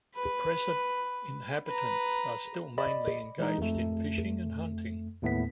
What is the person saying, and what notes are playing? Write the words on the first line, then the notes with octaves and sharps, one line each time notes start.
The present inhabitants are still mainly engaged in fishing and hunting.
B4
B4 A#5
D5 D#5 B5
E3 G#3 D#4
F2 A3
D#2 A2 A3 B3 B6